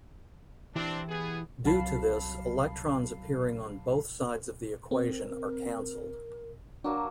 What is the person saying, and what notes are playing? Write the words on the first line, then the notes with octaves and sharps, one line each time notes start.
Due to this, electrons appearing on both sides of the equation are canceled.
E3 C4 D4 E4 G4
B3 G#4
C2 F#3 F5 A5 B5 C7
C4 A#4
F#3 A#3 D4 A5